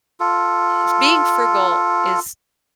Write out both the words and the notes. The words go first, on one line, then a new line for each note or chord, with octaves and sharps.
eh, being frugal is
F4 A4